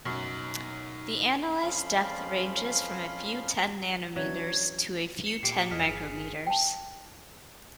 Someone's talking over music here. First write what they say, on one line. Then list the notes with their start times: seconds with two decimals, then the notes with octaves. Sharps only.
The analyzed depth ranges from a few ten nanometers to a few ten micrometers.
0.05 F#2 B2 D#4 C#5
1.62 F2 F3 C#4 F5 B5 C6
4.16 E3 F#3 C#4 D4 C#5 E5 G#6
5.24 C#7 E7
5.43 A#2 G4 C7 D7
5.71 E2 G#4 D#5 F6 B6
5.87 G1 G#4
6.47 G5 A5